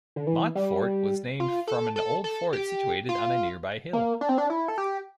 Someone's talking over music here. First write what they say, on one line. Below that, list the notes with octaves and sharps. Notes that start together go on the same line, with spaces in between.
Montfort was named from an old fort situated on a nearby hill.
D3
E3
G3
F4
A4
A4
A4
G4
F4
A#3
D4
C4
D4
E4
A4
G4